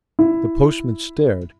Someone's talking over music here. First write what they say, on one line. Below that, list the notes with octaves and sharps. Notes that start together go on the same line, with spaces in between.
The postman stared.
E4